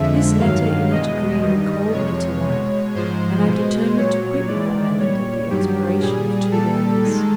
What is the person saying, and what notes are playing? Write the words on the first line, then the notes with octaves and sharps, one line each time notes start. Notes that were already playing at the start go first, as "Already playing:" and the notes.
This letter in a degree recalled me to life, and I determined to quit my island at the expiration of two days.
Already playing: F2 D3 F3 G#3 E5
G2 D#3 F#3 F5
E2 B2 G#3 D#5
G2 D#3 G3
F2 C3 F3 G#3 C#5
B2 G#3
G#2 F3 G#3 C5
B2 G#3
A#2 F#3 C#5
G#2 E3 G#3 D5
A#2 G3 C#5
G2 D#3 F#3 G4
A#2 G3 G#4
A#2 G3 A4
D#3 G#3